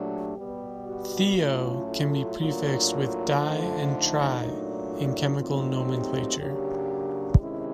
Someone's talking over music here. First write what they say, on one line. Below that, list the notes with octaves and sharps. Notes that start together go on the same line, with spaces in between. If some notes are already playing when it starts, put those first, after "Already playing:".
Thio- can be prefixed with di- and tri- in chemical nomenclature.
Already playing: A#2 F#3 A3 D4 G4
B2 G3 B3
F#4
A2 F#3 A3 C#4 F4
F4
A2 F#3 A#3 D4
D3 F3 A3 D4
D#4
A#2 F#3 A3 D4
E4
A#2 F#3 A3 C4 D#4 F4
G4
C#3 F#3 A#3 D4 G4
C3 D#3 G#3 C#4 E4